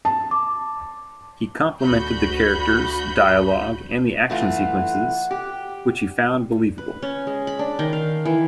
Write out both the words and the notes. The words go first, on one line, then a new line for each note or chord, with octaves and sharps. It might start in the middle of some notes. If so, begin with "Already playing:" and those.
He complimented the characters, dialogue, and the action sequences which he found believable.
A5
D6
D2 F#4 B5 G6
E3 A3 F4 F#5
G4
B4
C#4
G#3
B5
D4
D#3
F5
E3